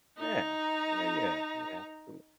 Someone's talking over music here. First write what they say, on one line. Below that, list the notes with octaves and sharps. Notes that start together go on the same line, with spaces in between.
Yeah. Yeah, yeah. Yeah. Absolute
D#4 A#5